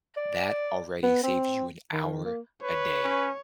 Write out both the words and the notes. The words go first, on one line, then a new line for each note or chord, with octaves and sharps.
that already saves you an hour a day
D5
B3
C4
D#3
A#3
B4 C#5
C#4